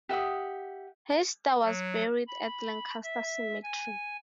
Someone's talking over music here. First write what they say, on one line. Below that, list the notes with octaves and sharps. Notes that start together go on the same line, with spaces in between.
Hiester was buried at Lancaster Cemetery.
G4 E5 F#5 D#6
F#3
B5
E5
G#5